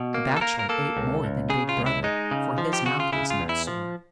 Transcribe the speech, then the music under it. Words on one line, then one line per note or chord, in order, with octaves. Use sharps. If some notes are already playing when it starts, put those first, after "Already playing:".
The Bachelor ate more than Big Brother, for his mouth was not sore.
Already playing: B2
A#3
A4
A#3 A#4
A#4
A#3 A4
C#2
C#2
C#3 G#4
F4
C#2
E4
G#3 D#4
C#3
F3
G4
C#3 F#4
F4
C#3 E4
F4
E2
E4
F3